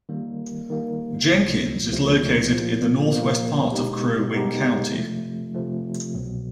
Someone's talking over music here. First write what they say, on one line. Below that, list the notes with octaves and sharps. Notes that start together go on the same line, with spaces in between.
Jenkins is located in the northwest part of Crow Wing County.
D#3 G3 A#3
D#3 G3 A#3
C#2 C3 F3 A3
C#2 C3 F3 A3
A#2 F3 A#3
A#2 F3 A#3
B2 G#3 B3 D#4 G4
B2 G#3 B3 D#4 G4
C3 F3 A3
C3 F3 A3
C2 B2 F#3